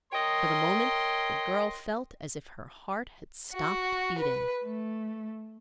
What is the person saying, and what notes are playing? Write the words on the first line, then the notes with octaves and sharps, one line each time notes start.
For the moment the girl felt as if her heart had stopped beating.
A#4 C#5 D#5 G5 C6
F#4
B4
A3